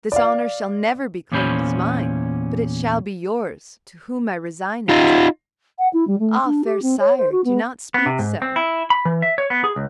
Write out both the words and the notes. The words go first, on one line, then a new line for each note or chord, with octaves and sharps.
This honour shall never be claimed as mine, but it shall be yours, to whom I resign it." "Ah, fair sire, do not speak so.
D5 F5
E2 A#2 C#4 C5 B5
D#4 F4
F#5
E4
G3
A3
D4
G4
C4
C#5
C5
F#4
B3
B3
C3
G#2
C4
E4
B5
E3
E5
C#5
B3
G#4
C#2